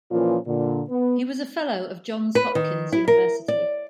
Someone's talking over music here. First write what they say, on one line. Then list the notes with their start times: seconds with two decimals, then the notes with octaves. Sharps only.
He was a fellow of Johns Hopkins University.
0.11 A#2 E3 F3 A#3 C#4 F4
0.46 A#2 D3
0.89 B3
2.35 B4
2.55 D#3
2.92 E4
3.08 A#4
3.48 D5